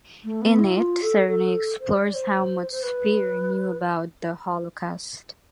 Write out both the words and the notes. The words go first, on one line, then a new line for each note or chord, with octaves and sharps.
In it, Sereny explores how much Speer knew about the Holocaust.
A3
B3
E4
F4
A4
A4
C5
D5
C5
C5
B4